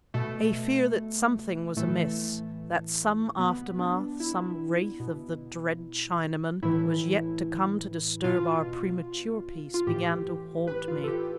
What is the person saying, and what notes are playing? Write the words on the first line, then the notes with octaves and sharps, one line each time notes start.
A fear that something was amiss, that some aftermath, some wraith of the dread Chinaman, was yet to come to disturb our premature peace, began to haunt me.
B2 A3
A2 E3 A3
B2 B3
D4
E4
B2
A2 E3 E4
B2 F4
F4
A2 E3 G4
B4
F4
A4
G4